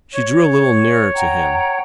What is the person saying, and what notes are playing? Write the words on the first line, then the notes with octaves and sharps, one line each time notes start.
She drew a little nearer to him.
C#5
F#5 G5 A#5